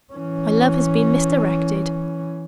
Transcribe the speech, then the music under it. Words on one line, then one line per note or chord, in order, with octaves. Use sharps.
My love has been misdirected.
E3 C#4